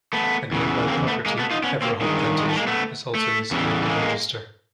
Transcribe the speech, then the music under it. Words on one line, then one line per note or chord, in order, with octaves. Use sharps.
A nearby property, Everhope Plantation, is also listed in the register.
A3 B3
E2 C#3 E3
A#3 C4
A3 B3
G#3 A#3
A3 B3
D#4 F4
B3 C#4
A#3 C4
G2 D#3 G#3
G#3
G#3
A3
G#3 A#3
A3 B3
A3
E2 C#3 E3 G3
A3
G#3 A#3